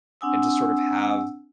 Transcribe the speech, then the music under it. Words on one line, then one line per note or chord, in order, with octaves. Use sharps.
and to sort of have
C4 D4 F#5 G#5 D#6 E6